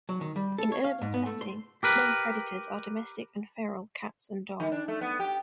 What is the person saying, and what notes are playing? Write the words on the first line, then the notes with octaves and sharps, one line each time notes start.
In urban setting main predators are domestic and feral cats and dogs.
F#3
D#3
G3
A4
C#5
F5
G#2
B3
A3
C6
G4 A#4 B4
D#3
D4
A3
B3
G4